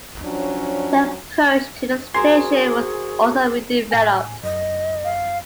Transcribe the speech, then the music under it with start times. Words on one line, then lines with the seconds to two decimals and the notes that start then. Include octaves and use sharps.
The approach to the station was also redeveloped.
0.22 F3 F#3 C#4 D4
2.14 F#4 G#4 A#4 C5 G#5 C6
3.91 A2 G#5
4.43 F#2 D#5
5.04 F5